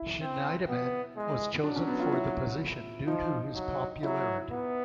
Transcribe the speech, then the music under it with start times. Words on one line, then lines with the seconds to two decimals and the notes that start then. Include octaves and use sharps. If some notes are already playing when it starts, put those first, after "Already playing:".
Scheidemann was chosen for the position due to his popularity.
Already playing: E4
0.20 C4
0.69 B3
1.16 G#3
1.63 F#3 D4
1.76 C#4
1.88 B3
1.99 F4
2.12 E4
3.07 F3 D#4
3.55 F#3
4.03 F#3 E4
4.51 B3